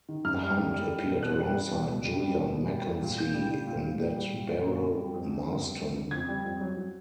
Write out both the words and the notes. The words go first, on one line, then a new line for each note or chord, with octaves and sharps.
Hunt appeared alongside Julia McKenzie in That Beryl Marston...!
D#3
F#2 F6
G3
F#2
G3
G3
B2
B2 F#6
G3
G3
B2
B2
G3
G3
B2
B2
G3
G3
A#2
A#2 G6
G3
G3
A#2
A#2
G3
G3
A#2
A#2
D3
F2
G3
F2
D3
F2
G3
F2
D3
F2 G#6
G3
F2
F#3
F#3